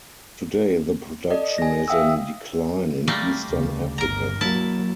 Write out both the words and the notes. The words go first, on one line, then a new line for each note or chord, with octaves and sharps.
Today the production is in decline in eastern Africa.
A4 D5 D#5
G#5 A#6
E5 F5 G5 D#6 E6
G3 A3 A#3
D2 C#3
G1 A#4 A#5
F#3 A#3 E4 A5